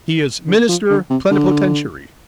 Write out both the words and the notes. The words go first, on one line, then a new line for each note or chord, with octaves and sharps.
He is minister plenipotentiary.
D3
F3
D3
C3
D3